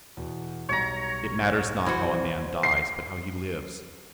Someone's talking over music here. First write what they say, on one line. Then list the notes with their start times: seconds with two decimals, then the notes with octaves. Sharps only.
It matters not how a man dies, but how he lives.
0.17 E2 B2
0.69 B1 G3 C#5 A#5
1.86 E3 F#4 C5
2.63 C7